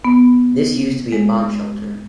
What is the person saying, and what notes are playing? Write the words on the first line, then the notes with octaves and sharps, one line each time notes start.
This used to be a bomb shelter.
B3
G#3